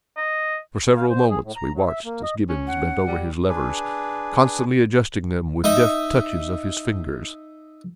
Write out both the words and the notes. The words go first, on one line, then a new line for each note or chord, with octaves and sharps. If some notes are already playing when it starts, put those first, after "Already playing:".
For several moments we watched as Gibbons bent over his levers, constantly adjusting them with deft touches of his fingers.
D#5
F5
C5
G#4
A2
A#5
F#3
E5
A#3
D#5
C#4
F#5
G3
D4 G#4 B4
D#4 D#5 E5